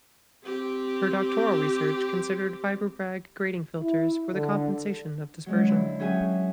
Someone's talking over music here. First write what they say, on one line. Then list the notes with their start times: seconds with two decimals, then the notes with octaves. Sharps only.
Her doctoral research considered Fiber Bragg grating filters for the compensation of dispersion.
0.45 C4 G4
3.81 E4
4.34 D3
5.46 F#3 G#3 C#4
5.66 D3 E4 E6
5.99 F#3 C#4 G#4 E5 G5 G#5